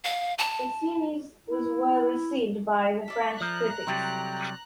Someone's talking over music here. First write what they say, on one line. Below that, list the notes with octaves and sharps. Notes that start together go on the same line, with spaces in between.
The series was well received by the French critics.
F5
A5
E4
A4 D5 E5 B6
F3 A#5 F#6
C3 F#3 G3 E4 G4 A4